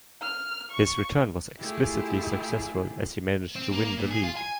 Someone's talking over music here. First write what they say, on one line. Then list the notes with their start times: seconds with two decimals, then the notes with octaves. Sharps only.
His return was explicitly successful as he managed to win the league.
0.22 F6
0.71 C#6
1.60 A3 E4 F4 G4 G#4
3.56 C4
3.72 A#3
3.84 A#3
3.98 A#2
4.11 G#4
4.24 F4
4.36 G#5